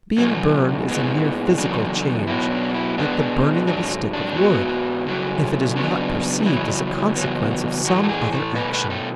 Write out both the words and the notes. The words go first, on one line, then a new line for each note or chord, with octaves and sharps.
Being burned is a mere physical change, like the burning of a stick of wood, if it is not perceived as a consequence of some other action.
B2 F#3 A3 C#4
A2 G#3 B3
E2 C#3 F#3 A3 D4
B2 F#3 B3 E4
D4
E4
B2 G#3 B3 D4
G#2 F#3 A3 D4
D4
G#2 G#3 B3 F#4
C#3 F#3 A3
C#3 F#3 B3 D4
E2 C#3 F#3 E4
E2 C#3 F#3 B3
A2 E3 A3 F#4
A4
G#4
A4
B2 A3 B4
B4
A4